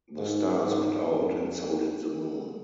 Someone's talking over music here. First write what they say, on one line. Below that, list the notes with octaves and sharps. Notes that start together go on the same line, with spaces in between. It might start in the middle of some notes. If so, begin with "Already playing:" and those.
The stars went out and so did the moon.
G#2
G#2
F2